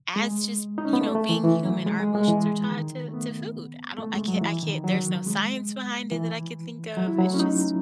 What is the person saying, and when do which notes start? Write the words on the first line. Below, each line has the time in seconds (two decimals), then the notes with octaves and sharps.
as just you know, being human, our emotions are tied to to food. I don't I can't I can't, there's no science behind it that I could think of It's just
0.16 G#3
0.78 D#4
0.85 C#4
0.93 B3
1.01 A3
1.15 A3
1.29 E3
1.44 E3
1.65 F#3
1.86 G#3
2.00 G#3
2.15 G#3
2.28 E3
2.71 D#3
3.09 A3
3.13 B3
3.98 A3
4.14 G#3
4.28 F#3
4.41 E3
4.63 D#3
4.84 F#3
5.26 G#3
6.12 E3
6.97 F#3
7.08 E4
7.18 F#3
7.29 A3
7.34 C#4
7.39 D#4